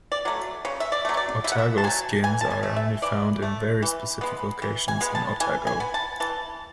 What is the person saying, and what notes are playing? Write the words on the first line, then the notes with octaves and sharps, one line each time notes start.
Otago skinks are only found in very specific locations in Otago.
D5
F#3 A3
C#3 C#5
E5
D5
F#3 A3
D5
C#3 E5
F#5
E5
A5
F#3 A3 G#5
E3 G#5
A5
G#5
A3
E5
E3 D5
A3
E3
G#3 B3
E3
G#5
G#3 B3
A5
E3 G#5
G#5
B3
A5
E3 A5